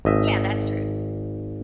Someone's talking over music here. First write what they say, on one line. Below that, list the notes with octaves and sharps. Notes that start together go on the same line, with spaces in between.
Yeah, that's true.
G#1 D#5 E5